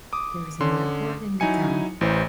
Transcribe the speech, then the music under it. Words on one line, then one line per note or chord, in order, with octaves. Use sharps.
There is an airport in the town.
D6 D#6
D3 C#4 C6
F#3 D#4 E4 G#5 C#7
A1 E3 C5